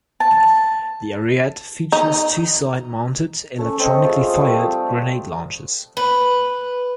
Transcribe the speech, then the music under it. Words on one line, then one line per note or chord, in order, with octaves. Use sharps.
The Ariete features two side-mounted, electronically fired grenade launchers.
A5
D#4
A3 C#4
A3 C4 C#5 D#5
F4 G#4 C5 F5
G3 A3
B4